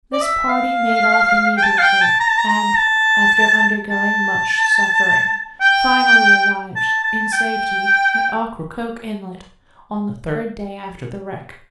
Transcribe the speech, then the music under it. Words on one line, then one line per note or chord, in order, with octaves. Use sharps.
This party made off immediately, and, after undergoing much suffering, finally arrived, in safety, at Ocracoke Inlet, on the third day after the wreck.
D5
E5
F5
G5
A5
F5
G5
A5
A#5
A5
A#5
A#5
A5
A5
G5
A5
A5
G5